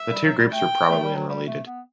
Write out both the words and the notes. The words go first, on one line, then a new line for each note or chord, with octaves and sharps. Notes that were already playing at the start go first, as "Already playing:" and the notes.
The two groups were probably unrelated.
Already playing: E5
G3
F#3
G3
A3 G5
A3
G3
F#3
G3
A3
B3